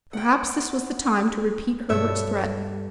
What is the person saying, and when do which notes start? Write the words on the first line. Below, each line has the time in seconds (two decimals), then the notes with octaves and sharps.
Perhaps this was the time to repeat Herbert's threat.
0.13 F#5 G5
1.89 G2 B2 A4 C#5 E5